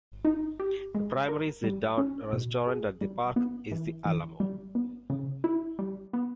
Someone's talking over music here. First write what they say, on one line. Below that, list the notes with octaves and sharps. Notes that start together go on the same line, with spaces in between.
The primary sit-down restaurant at the park is the Alamo.
D#4
G4
G#3
A#4
G3
C#4
B2
G#4
G3
B3
E3
E3
G3
B3
C#3
E4
G3
B3